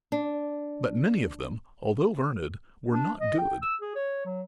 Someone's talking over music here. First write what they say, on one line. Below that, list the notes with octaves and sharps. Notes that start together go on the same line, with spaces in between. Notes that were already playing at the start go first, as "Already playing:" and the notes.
But many of them, although learned, were not good.
D4
D4
D#5
G5
E6
G#4
C#5
F#3